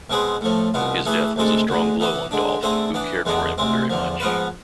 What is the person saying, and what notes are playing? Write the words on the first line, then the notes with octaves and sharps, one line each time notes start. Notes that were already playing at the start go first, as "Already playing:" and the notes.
His death was a strong blow on Dolf, who cared for him very much.
B2 G#3 C4 G#4 B4
A2 F3 A3
C2 B2 B3 F4
E3 A3 E4 G#4 B4
D2 C3 G#3 D4 A4
D2 D3 G#3
E3 B3 E4 B4
D3 G#3 D4
D3 A3 C4 G#4 C5
E3 B3 D4
E2 D3 G#3 B3 D4
D2 C3 G#3 C4
E2 D3 F3
G#2 F3 B3 F4 B4